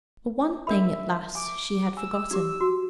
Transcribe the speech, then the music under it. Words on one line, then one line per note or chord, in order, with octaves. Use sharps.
But one thing--at last--she had forgotten.
D4 A#4 E5 B5
G#5 D6
G#5 E6
D#4 G4 D6
F#4